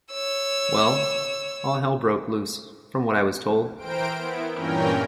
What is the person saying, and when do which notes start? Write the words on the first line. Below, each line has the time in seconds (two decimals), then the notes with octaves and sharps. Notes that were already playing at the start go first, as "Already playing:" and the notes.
Well, all hell broke loose, from what I was told.
0.13 C#5 E6
3.77 E3 A#4 C5 G5 D7
4.18 B3 E4
4.56 G2 A#2 E3 C#4 A#4 G5